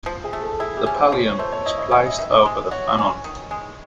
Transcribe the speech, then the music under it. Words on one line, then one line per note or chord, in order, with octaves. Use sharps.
The pallium is placed over the fanon.
F3
G#4
A3
A4
E4 G#4
G4
C#4
C5
F3 C#5
C#5
A3 C5
C#5
E4 D#5
D#5
C#4 E5
D#5
D#3 E5
G#3
F#4 C#5
C#4
D#3
G#3